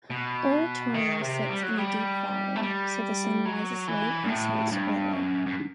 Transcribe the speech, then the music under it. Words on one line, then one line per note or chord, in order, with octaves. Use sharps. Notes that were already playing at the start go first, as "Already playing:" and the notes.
Oratorio sits in a deep valley, so the sun rises late and sets early.
B2
D#3
C3
G3
F#3
G3
A3
G3
F#3
E3
G2
A2
G2
F#2
F#2